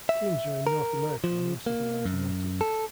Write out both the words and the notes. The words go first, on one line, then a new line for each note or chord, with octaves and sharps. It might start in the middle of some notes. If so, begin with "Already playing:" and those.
Teams are in North America unless otherwise noted.
E5
A#4
F3
A#3
F#2
A4